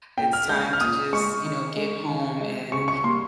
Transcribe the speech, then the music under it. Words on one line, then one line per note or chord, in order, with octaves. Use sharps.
it's time to just, you know, get home and
A#2 G5
F6
G#3 G6
F6
A#2 D#6
G#3 C#6
D#3
G#3
D#3
G#3
C#3 C#6
C#6
G3 A#3 C6